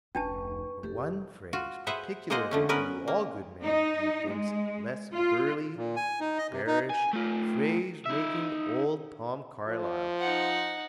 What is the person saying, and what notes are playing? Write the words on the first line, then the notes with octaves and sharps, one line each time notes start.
For one phrase particularly do all good men, methinks, bless burly, bearish, phrase-making old Tom Carlyle.
F1 D2 C#4 D4 B4 A5 C#6
F1 G4 A4
F4 F#4
G#4 B4 C5 E5 F#5
G#3 A#3 F4 C5 D#5 F#5
D3 A3 C#4
B3 C#4 A#4 B4
A#3
D#4
G#3
F4
A#2
G#5
D#4
D#5
C3
D#4
G#5
A3 F4
D#4 E5
F3
D#4 F#5